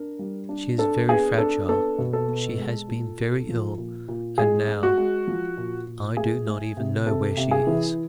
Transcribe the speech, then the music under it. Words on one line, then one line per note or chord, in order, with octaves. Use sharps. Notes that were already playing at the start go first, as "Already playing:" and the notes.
She is very fragile; she has been very ill, and now--I do not even know where she is.
Already playing: D4 A#4
G3
D4
D4 A4
B3 G#4
D4 A4
B3 A4
B2
A4
B3
G#3
A#2
A#2
F3
A#2
A#2
G#3 G#4
G#3
F#4
G#3
F3
A#2
A#2
A3 G#4
A3
C3
C3 A4
C3
G#4
E3